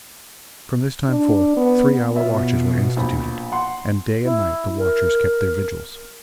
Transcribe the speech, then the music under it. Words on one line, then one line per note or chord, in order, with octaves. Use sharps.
From this time forth three-hour watches were instituted, and day and night the watchers kept their vigils.
D4
B3
B2 F4 C#5 E5
A#1 B5
F#5 C6
E4
A#4